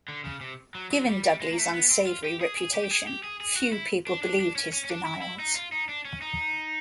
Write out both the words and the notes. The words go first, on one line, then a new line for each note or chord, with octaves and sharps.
Given Dudley's unsavory reputation, few people believed his denials.
D3
C#3
C3
F#3
F#3
G3
G3
G#3
A#3
A3
B3
C4
F4
G4
G#4
G#4
G4
G4
G#4
G4
G#4
G#4
F#4
E4
D4
D4
D4
C#4
C#4
C#4
D4
E4
E4
D#4
F4
D#4
D4
C#4
D#4